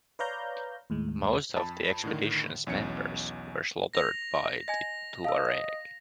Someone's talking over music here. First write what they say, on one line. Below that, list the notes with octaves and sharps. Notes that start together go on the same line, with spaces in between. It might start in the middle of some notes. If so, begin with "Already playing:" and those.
Most of the expedition's members were slaughtered by the Tuareg.
B4 C#5 D5 F5 A#5 G6
D#2 A2 G#3
F2 A5 B5
A2 D3 D#3
B1 E2 C#4 C#7
A#6 F7
D#5 G#5 G#6 A#6
D#5 F5 A5 E6